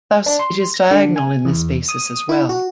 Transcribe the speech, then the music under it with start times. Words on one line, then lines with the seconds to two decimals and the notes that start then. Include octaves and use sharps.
Thus it is diagonal in this basis as well.
0.26 D4
0.39 C6
0.74 A#6
0.91 D3
1.16 G#5
1.45 E2
1.89 D#6
2.29 E4
2.49 F#4